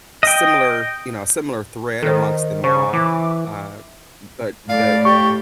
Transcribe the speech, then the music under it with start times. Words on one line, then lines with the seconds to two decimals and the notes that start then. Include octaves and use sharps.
similar you know, similar thread amongst them all, uh, but the
0.23 D#5 G5
2.03 D#3 A4 C5
2.64 C#3 C5 C#6
2.93 E3 D6
4.69 A2 D5 F5
5.05 G4 C#6